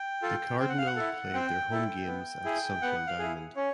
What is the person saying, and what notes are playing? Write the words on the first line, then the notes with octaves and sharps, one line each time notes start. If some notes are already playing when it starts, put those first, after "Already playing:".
The Cardinal played their home games at Sunken Diamond.
Already playing: G5
F4 A4
C4 G5
F#5
F5
F#5
E4 A4
C4 G5
E4 A4
B3
E4 G#4
B3 F#5
F5
E4 G#4
C#4 C#5